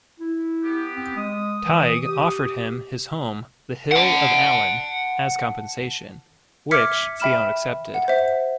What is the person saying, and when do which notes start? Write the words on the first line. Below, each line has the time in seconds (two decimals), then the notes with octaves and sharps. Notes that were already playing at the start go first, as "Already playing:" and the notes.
Tadg offered him his home, the hill of Allen, as compensation, which Fionn accepted.
0.20 E4
0.63 B3 G4
0.94 C4
1.16 G#3 D#6
1.65 E3
2.05 G4
3.92 F#5 A5
6.71 E5 D6 F6 G#6 B6 C#7
7.20 E5 G5 B5 F6 E7
7.94 F#5
8.08 C5 E5